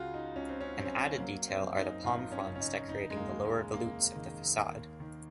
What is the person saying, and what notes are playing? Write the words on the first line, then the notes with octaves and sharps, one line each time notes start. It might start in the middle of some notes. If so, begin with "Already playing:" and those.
An added detail are the palm fronds decorating the lower volutes of the facade.
Already playing: C#2 C#3 F4 F#4 G#4
D#4
C#2 C#4
C4
C#4
F#3 C4
C#4
C4
F#3 A#3
C4
F#2
D#4
G#1 F4
C#4
C#3
C#4
D#4
F1 D#4
G#3
A#3
D#2
G#3
F1 A#3
D#3
D#2
D#3